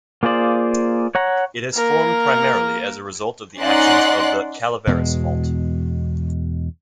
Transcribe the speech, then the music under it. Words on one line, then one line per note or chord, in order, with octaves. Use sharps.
It has formed primarily as a result of the actions of the Calaveras Fault.
A#3 F4 G#4 C5 D5
C#5 F#5 A#5
A#3 A#4
C#4 D#4 D5 F#5 C6 F#6
E2 B2 G#3